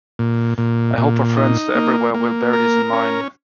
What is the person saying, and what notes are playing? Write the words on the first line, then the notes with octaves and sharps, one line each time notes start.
I hope our friends every where will bear this in mind.
A#2
A#2
A#2
D#4
A#3
A#3
A#4
C#4